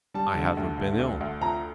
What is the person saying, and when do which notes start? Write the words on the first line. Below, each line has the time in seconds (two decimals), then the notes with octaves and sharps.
"I haven't been ill."
0.14 G3 A5
0.35 D3
0.57 D2
0.78 D3
1.00 D2
1.21 D2
1.41 F2 A#5